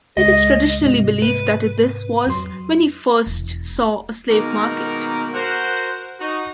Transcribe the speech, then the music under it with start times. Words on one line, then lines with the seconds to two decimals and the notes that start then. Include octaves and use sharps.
It is traditionally believed that this was when he first saw a slave market.
0.17 C#2 G#3 D#5
0.81 G#2 C3
1.22 B4
2.27 F2 F#3 C6
3.27 E1
4.30 B2 D#3 G#3 A#3 B3 A#4
5.34 F#4 A#4 C5
6.20 D#4 F#4